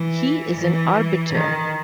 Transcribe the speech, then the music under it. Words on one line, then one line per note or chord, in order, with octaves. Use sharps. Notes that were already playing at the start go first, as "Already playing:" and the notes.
He is an arbiter.
Already playing: E3
E3
D#3